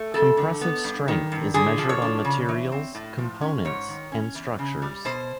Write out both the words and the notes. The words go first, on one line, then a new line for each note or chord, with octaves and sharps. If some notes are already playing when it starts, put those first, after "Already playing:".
Compressive strength is measured on materials, components, and structures.
Already playing: A3
F2 A4
D3
B3
G2
D#3
G2
D3 G#4
F3
C#5
D4
C#3
E3
C4
A2
F3
C#4
G#2 C#5
D#3
C#4
E2
C#3
G3
B2 C5